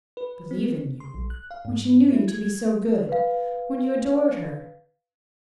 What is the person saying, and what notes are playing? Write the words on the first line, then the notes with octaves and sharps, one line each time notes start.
"Believe in you?--when she knew you to be so good!--when you adored her!"
B4
C4
C6
A#1
F#6
F5
G#2
E4
G#6
B4 F5